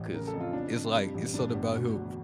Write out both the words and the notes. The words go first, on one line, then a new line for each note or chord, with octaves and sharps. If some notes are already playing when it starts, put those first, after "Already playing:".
'cause it's, like, it's something about him p
Already playing: A1
C#3 A#4
A4
F2
F4
C#3 D4
F2
G2
A1
G2 D4
G1
D2
E1